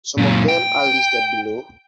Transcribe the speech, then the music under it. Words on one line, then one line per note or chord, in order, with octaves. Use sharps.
Some of them are listed below.
F#2 A#2
G5